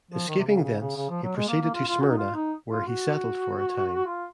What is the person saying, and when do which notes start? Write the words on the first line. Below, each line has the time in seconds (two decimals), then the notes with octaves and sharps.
Escaping thence, he proceeded to Smyrna, where he settled for a time.
0.11 F3
0.28 D#3
0.39 C3
0.46 C#3
0.62 C#3
0.80 C#3
0.96 C#3
1.10 F3
1.23 F#3
1.36 G#3
1.48 A#3
1.61 A#3
1.74 F4
1.88 F4
2.01 F#4
2.09 D#4
2.18 F4
2.35 D#4
2.70 F4
2.87 F#4
4.07 F4